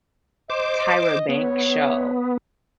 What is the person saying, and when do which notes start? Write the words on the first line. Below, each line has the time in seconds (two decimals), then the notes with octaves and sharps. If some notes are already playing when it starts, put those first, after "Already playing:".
Tyra Banks' show
0.50 C5 D#5 D6
1.29 B3 C#5